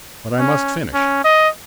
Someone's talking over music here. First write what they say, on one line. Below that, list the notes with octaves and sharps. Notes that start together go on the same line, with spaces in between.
But I must finish.
C#4
C#4
D#5